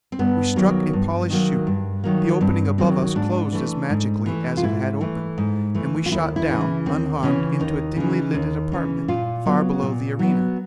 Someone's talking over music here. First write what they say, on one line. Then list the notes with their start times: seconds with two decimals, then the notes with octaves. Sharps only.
We struck a polished chute, the opening above us closed as magically as it had opened, and we shot down, unharmed, into a dimly lighted apartment far below the arena.
0.12 C4
0.19 G2 B3
0.56 D#3 F#3 A#3
0.93 G2
1.30 D#3 F#3 A#3
1.67 G2
2.04 D#3 F#3 A#3
2.41 G2 C4
2.78 D#3 F#3 A#3 C4
3.15 G#2 D4
3.52 E3 A3
3.90 G#2
4.26 E3 A3
4.57 F4
4.63 G#2 E4
5.01 E3 A3
5.38 G#2
5.75 E3 A3
6.06 F4
6.12 D#2 E4
6.36 E4
6.49 C#3 E3
6.61 E4
6.86 D#2 C4
7.23 C#3 E3 C#4
7.60 D#2 D#4
7.97 C#3 E3
8.34 D#2
8.72 C#3 E3
9.08 A#2 F4
9.46 F#3 B3
9.82 A#2
10.19 F#3 B3